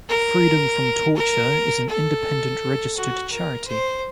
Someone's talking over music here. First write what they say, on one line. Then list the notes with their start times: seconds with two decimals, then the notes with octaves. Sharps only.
Freedom from Torture is an independent registered charity.
0.09 A#4
1.16 A#4
1.89 A4
2.97 F#4
3.32 A#4
3.67 C5